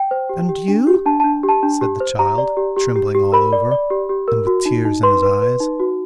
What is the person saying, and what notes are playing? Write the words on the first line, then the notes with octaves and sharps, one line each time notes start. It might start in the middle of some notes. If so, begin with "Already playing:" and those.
"And you?" said the child, trembling all over, and with tears in his eyes.
Already playing: G5
C5
G4
G4
D4
G4
D4 A5
D4 A5
G4
A5
D4
G4
C5
G4 A#5
D5
G4
G4
G4
G4
A#4 B5
D5
D5
G4
G4
A#4
F#4
D#4
D#4
B4 C6
B4
B4
D#4
F#4